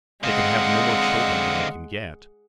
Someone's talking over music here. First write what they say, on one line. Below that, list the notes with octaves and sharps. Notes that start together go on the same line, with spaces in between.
They can have no more children than they can get.
D3 G#3 C4 D#5 F5 F#5